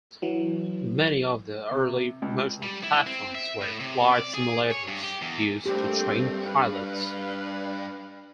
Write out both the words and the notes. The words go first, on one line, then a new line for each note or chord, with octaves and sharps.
Many of the early motion platforms were flight simulators used to train pilots.
E3 F#3
C3
C#2
G3
E4
C4
E5
A2
C3
D5
G#4
C#5
G2
G4
E2
G2 A3 A#3 C4 D4 G4
D4 B4 F5